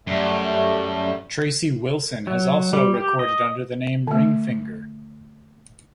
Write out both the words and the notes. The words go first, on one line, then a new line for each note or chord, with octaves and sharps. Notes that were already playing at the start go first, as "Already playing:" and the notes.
Tracy Wilson has also recorded under the name Ringfinger.
F#2 G3 A3
F#3
G3
G4
D#5
D3 A3